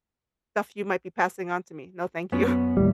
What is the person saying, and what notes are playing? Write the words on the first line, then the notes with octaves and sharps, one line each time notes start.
stuff you might be passing on to me. No, thank you."
F#2 B3 C#4
D#2 A2 G3